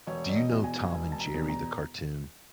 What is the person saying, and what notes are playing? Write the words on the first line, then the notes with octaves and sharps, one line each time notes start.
do you know Tom and Jerry, the cartoon?
E1 C#5
D5
D#5
E2 B2
G#5
E1 G#5
A5
A#5
E2 B2
A#5